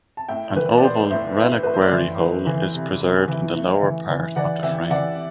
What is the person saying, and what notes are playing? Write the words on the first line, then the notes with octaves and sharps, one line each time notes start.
An oval reliquary hole is preserved in the lower part of the frame.
A5
A2 E5 G5
E3 B4
D5
B3 C5
A2 C5 E5
A2 C5 E5
A2 B4
C5
D5
E3 C5 E5
B3
E3
C3
C3
E3
A3
E3
E3
E3 D5 F#5
E3 E5 G5
E3 D5 F#5